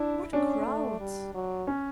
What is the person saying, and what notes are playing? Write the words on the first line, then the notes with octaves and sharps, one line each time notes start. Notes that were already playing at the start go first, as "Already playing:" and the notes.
What crowds!
Already playing: D4 E4
C#4 D4
A3
G3
F#3
C#4